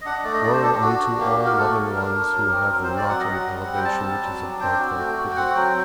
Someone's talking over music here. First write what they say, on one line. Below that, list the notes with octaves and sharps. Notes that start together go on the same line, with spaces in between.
Woe unto all loving ones who have not an elevation which is above their pity!
D#5
D4 F#5
D#5
A3 D5
D#5
D4 D5
C5
D4 A4
G4
F#4
D4
A#3 G4
F#4
A#4
A3 A4
F#3
D4 A#4
D4
F#3
C4
F#3 A#4
C5
C4
D5
F#3 F#5
D#5
F#3 F#5
G3
C4
G5
G3 A5
C4
F#3
D4
C4 G5
F#4
A3
F#4
G5
C4 F#5
F#3 G5